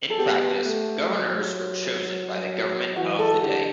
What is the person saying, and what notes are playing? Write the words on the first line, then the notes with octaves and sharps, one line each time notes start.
In practice, governors were chosen by the government of the day.
A4
B3 G4
A3
F#3
E3 F#4
A4
D3 G4